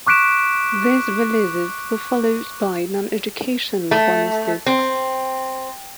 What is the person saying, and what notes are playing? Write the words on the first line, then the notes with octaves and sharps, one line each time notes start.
These releases were followed by noneducational bonus discs.
C#6 D6 F#6 B6 D7 E7
A3
C4